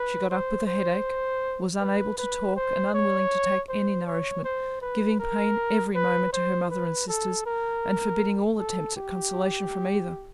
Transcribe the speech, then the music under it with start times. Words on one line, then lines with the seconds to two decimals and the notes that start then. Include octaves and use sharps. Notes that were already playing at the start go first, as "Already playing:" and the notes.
She got up with a headache, was unable to talk, and unwilling to take any nourishment; giving pain every moment to her mother and sisters, and forbidding all attempt at consolation from either.
Already playing: B4
0.30 C5
0.67 C5
1.80 B4
2.18 B4
2.56 C5
2.94 C#5
3.69 C5
4.07 C#5
4.44 C5
4.82 B4
5.20 A#4
5.95 B4
6.33 C5
6.70 B4
7.08 A4
7.46 A#4
8.59 A4
8.96 G4